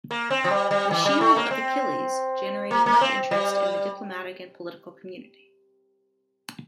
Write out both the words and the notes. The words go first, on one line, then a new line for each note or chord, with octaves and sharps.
"The Shield of Achilles" generated much interest in the diplomatic and political community.
A#3
C4
F3
G3
G3
E3
G3
A3
A#3
C4
A#3
A#3
C4
G3